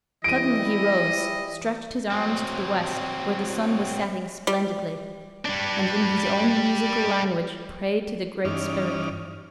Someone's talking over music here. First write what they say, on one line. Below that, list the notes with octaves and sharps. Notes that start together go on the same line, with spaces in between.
Suddenly he rose, stretched his arms to the west, where the sun was setting splendidly, and in his own musical language prayed to the Great Spirit.
E3 G3 E4 D#5 D7 D#7
F#3 C4
G3
G3 D4
G2 E3 C#4 D#4 D5 F6